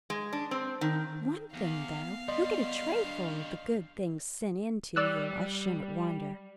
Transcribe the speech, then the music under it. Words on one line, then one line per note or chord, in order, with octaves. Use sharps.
One thing, though, you'll get a trayful of the good things sent in to you, I shouldn't wonder.
G#3
D4
C4
D#3
E2 B3 F5
D#3 G3 D5 D#5 C6
D4
G3 D5 E6 F#6